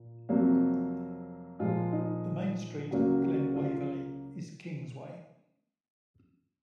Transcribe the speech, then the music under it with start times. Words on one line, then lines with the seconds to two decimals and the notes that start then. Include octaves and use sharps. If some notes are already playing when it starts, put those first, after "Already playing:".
The main street of Glen Waverley is Kingsway.
Already playing: A#2
0.29 F2 C3 F#3 A#3
1.59 A#2 F3 G#3 F4
1.93 D#4
2.91 C#2 C#3 F#3 A#3 F#4
3.24 F#4
3.56 F4